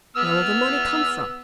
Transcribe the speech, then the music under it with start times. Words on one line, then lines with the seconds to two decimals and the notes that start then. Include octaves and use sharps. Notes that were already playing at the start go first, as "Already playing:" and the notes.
Where will the money come from?
0.16 B3 E6 F6